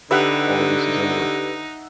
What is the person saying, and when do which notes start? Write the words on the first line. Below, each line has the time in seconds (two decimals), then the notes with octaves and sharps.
all this is over,
0.11 D3 D#4 G4 B4 E5 F#5